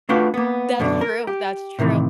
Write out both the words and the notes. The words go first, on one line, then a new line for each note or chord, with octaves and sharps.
That's true, that's true.
A3 D4 F4 F#4 B4 G5
A#3 B3
F#2 B2 D3 D4
A#4
G4
A2 C3 D#3 E3